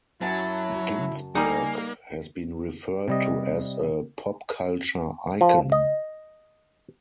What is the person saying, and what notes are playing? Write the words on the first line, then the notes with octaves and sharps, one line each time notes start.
Ginsburg has been referred to as a "pop culture icon".
F#2 F#3 E4 A5
G3 A#3 D#4 G#5
C3 G3 D#5
F3
D#5